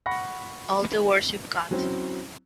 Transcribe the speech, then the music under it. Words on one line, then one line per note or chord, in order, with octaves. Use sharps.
All the words you've got.
F#5 B5 C#6 A#6
F#3 C4 C#4 E4